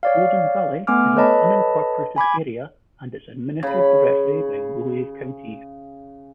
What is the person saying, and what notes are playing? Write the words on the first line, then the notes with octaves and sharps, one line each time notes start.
Golden Valley is an unincorporated area and is administered directly by Mohave County.
C#5 D5 F5
A3 B3 G#5 D6 F6
A4 B4 C#5 D#5 A5 B5
G#5 B5 D6 G#6
C#3 B5